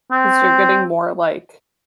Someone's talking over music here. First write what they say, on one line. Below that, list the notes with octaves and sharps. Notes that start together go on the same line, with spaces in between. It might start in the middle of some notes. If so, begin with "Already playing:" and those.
'Cause you're getting more like,
C4